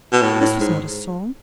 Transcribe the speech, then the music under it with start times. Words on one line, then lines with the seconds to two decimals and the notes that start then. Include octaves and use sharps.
This was not a song.
0.12 B2
0.22 A2
0.41 A2
0.60 G#2